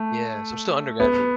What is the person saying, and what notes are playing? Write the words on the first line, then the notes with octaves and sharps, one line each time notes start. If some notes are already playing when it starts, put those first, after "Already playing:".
Yeah, so I'm still undergraduate.
Already playing: A3
B3